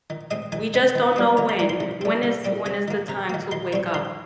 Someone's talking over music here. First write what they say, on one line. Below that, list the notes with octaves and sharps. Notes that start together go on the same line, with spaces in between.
We just don't know when, when is, when is the time to wake up?
D#3
G#3 C4 D#5
D#3 G#5
G#3 C4
D#3
G3 A#3
D#3 A#5
C6
G3 A#3
C6
C3
G3 C4
C3
G3 C4
C3 G#5
D#3 A#3
C3 A#5
D#3 A#3
D#3 C6
G3 C4 C#6
D#3 C6